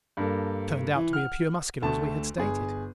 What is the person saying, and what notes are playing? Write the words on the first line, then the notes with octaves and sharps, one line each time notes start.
He turned out to be a pure Muscular as we had stated.
G2 A#3 A4
E3
F#5 F6
D2 A3 A5
G1 G#4